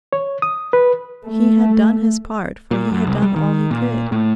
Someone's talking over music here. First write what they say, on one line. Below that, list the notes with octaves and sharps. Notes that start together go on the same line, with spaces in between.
He had done his part, for he had done all he could.
C#5
D#6
B4
A3
A#2
F#2
C2
G3
D#3
A#2
A2